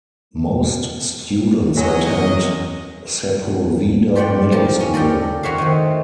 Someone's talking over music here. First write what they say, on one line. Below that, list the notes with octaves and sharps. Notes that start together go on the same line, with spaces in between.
Most students attend Sepulveda Middle School.
E2 F#3 D#5
F4 G4 D5 F#5 G5
F3 A#3 G4 A5 A#5
C#4
G4 A4 A#4 D5
F2 F#4 C#5 E5 F5
D#3 A3 C4